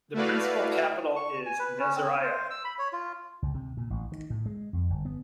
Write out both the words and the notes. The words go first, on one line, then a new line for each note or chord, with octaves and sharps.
The provincial capital is Nasiriyah.
A3 E4 F#4 B4 D5 F5
C#6
G#5
B4
C#4
C4
C5
E6
B5
C#5
F4
C#2
C3
A#2
A1
D#3
A2
G#3
F2
G1
B3